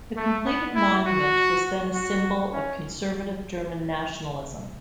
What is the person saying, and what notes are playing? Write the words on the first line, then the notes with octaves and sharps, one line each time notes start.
The completed monument was then a symbol of conservative German nationalism.
A3
B3
E4
F#4
F#4
C#4